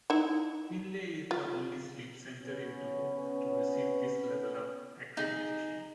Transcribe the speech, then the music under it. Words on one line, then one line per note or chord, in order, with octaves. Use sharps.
Finley is the only sleep center in Dubuque to receive this level of accreditation.
D#4 E4
F4
B3 C#4
D#4 G#4